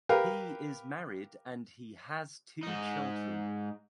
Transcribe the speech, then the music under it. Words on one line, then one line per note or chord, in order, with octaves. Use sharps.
He is married and he has two children.
G4 A#4 B4 F5
G#2 D#4